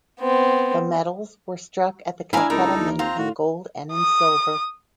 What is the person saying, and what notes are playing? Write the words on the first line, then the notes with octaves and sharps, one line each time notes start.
The medals were struck at the Calcutta Mint in gold and in silver.
B3 C4
D4 E4 A#4 F5 G#5
C#2 D#4 A4 A#4
D#2
C4 F4 A#5
A2 F#4
D#6